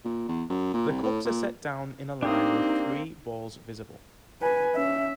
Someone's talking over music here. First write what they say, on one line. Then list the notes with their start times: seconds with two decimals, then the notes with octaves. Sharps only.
The cups are set down in a line with three balls visible.
0.05 A#2
0.28 E2
0.50 F#2
0.74 A#2
0.89 C2
1.03 A2
1.25 A#2
2.23 A#3 C4 D4 D#4 G4 D#6
4.42 B4 G#5
4.75 C#4 E5